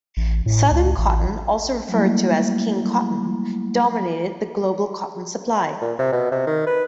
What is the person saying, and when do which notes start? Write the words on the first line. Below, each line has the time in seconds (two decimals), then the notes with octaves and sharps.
Southern cotton, also referred to as King Cotton, dominated the global cotton supply.
0.17 A1
0.46 A2
0.71 C#2
0.98 A1
1.88 F#3 G3 A3 A#3 E4
5.81 A#2
5.99 C3
6.12 B2
6.31 C3
6.47 D#3
6.67 B4